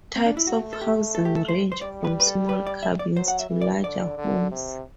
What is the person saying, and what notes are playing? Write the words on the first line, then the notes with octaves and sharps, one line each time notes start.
Types of housing range from small cabins to larger homes.
C4
D4
E4
A3 F#4
A4
G4
A4
G4
A4
C5
C5
G3 D5
B4
B4
A4
B4
D5
E5
D5
F#3 C5
F#5
E5
E3
D5
D3 D5
D3
C3